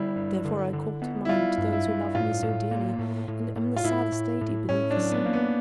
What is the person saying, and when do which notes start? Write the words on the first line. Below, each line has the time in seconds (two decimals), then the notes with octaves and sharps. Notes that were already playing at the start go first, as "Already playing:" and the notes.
Therefore I call to mind those who loved me so dearly, and am the saddest lady beneath the sun.
Already playing: D3 G3 E4
0.16 G2
0.45 D3
0.73 D3
1.02 B3
1.25 E4
1.29 G3 F4
1.58 G2
1.73 E4
1.87 G2
2.15 A2 F4
2.43 A2
2.71 A#3
2.99 A2
3.28 A2
3.56 A2
3.76 F4
3.84 A2 E4
4.12 A2
4.41 A2
4.69 A2 C#4
4.91 D4
4.97 F#3
5.12 B3
5.26 A#3
5.33 B3